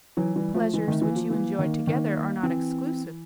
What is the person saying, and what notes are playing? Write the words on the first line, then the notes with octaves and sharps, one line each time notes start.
The pleasures which you enjoy together are not exclusive.
E3 F#3
E3 G3
F3 A3
E3 G#3
D#3 A3
E3
F3 A#3
E3
D#3
D#3
E3 C4